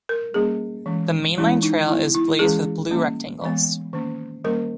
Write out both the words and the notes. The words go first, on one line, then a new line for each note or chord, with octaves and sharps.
The mainline trail is blazed with blue rectangles.
A#4
G3 A#3 C#4 G#4
E3 G#3 C#4
E3 G#3 C#4 E4
D#4
G3 B3 E4
E4
E3 G#3 C#4 G#4
G3 A#3 C#4
E3 G#3 B3
D#3 A#3 C#4
D#3 G3 A#3 C#4 A#4